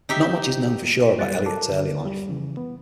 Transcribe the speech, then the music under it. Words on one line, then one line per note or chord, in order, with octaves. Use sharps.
Not much is known for sure about Elliott's early life.
D#4 G4 E5
F#2 G3 F#6 A6
A4 A#4 A5 D6
D3
G3
F2 C#3 E3
B3